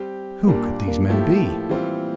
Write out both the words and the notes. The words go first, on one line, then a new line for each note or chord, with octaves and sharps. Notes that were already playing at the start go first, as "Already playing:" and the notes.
Who could these men be?
Already playing: G3 C4 G4
A#2 G3 A#3 D4
A#3
A2 F3 A3 E4 G4
E3 G3 C4 F4